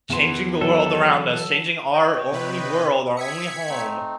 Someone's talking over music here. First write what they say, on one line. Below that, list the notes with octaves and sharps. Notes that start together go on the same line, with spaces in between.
changing the world around us, changing our only world, our only home
E2 E3 B3 C6
F#3 A4
C#5 D#5 G5
C3 B4
E5 D#6 G#6 B6 C#7
A3 C4 D#4